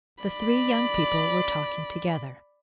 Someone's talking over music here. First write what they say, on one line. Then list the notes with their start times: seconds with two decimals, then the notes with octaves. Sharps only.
The three young people were talking together.
0.24 D5 B5